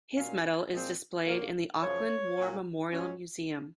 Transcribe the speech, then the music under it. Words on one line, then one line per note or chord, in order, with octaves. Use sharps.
His Medal is displayed in the Auckland War Memorial Museum.
A#2 F#3 C#4 F5
A#2 F3 G#3 C4
A#2 F#3 A#3
F#2 C#3 F3 C#5
A#2 F#3 C#4
G#2 F#3 C#4